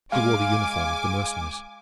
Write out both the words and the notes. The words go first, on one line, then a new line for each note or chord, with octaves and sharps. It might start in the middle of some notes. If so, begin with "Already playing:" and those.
He wore the uniform of the Mercenaries.
G#3 F5 G#5 D6